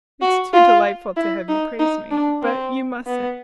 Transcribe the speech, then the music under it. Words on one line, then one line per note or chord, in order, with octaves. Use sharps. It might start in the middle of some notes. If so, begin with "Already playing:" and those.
It's too delightful to have you praise me--but you mustn't.
F#4
F4
E4
D#4
D#4
D4
C4
B3